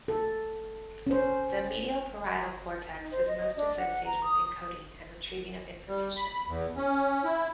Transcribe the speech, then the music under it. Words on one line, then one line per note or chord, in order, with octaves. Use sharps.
The medial parietal cortex is most associated with encoding and retrieving of information.
A4
C#4 C5
D#4
C5
D#5
D4
F#5
A#5
D#6
G3
B5
E2
C#4
E4